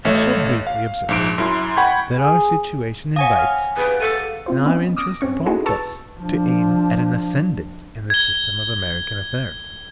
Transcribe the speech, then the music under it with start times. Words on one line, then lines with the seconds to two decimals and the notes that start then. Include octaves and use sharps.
I shall briefly observe, that our situation invites and our interests prompt us to aim at an ascendant in the system of American affairs.
0.05 A1 A3 C#5 E5
0.67 F5
1.09 A#1 G#2 D7
1.38 F#2 E4 C6
1.77 F#5 G5 B5 C#6 G#6
2.16 G#4
3.16 C#5 F5 F#5 G#5 D#6
3.38 F6
3.77 G4 G#4 B4
4.00 A4 A6 C#7 D#7
4.46 C4 F4 C5
4.66 B3 C#4 D#5
4.97 D6 D#6 F6 A#6 D7
5.21 G2 C4 C#4 C#6
5.46 D#4 E4 F#4 G#4 A4 C5
5.66 B4 A5 C#6 E6 A6
6.19 F3 D4
8.10 G#6 G7